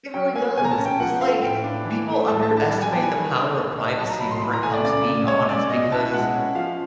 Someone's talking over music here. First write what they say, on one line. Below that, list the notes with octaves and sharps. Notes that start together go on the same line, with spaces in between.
It really does, 'cause, like, people underestimate the power of privacy whenever it comes to being honest because
F#3 G5
A#3 G#5
B2 G#5
A#5
A5
C#4
G5
F3 F#5
A3 F5
A2 G5
D4
E3
A3
A2 A5
A5
D4
A5
G3 A5
G#5
B3 G5
G#5
D#3
D4
A#3
D#4
F#3 A5
A#5
F#3 B5
C6
E3 B5
A#5
A3 G#5
D5
C#3 D5
C#3
G#3 C#5
C#4 D5
B2 D#5
E4 A5
G#3 F#5
C#4
F3 F5